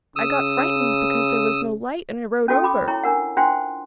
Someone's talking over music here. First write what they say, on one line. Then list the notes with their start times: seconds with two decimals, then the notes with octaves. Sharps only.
I got frightened because there was no light and I rowed over.
0.16 C#3 D#6 E6
2.48 C#4 F4 F#4 A4 G5
2.64 B5 D6
2.88 E4 C#5 G5 A#5 C#6
3.04 D4 A#4 F#5
3.37 D4 F4 C5 F#5 G5 C6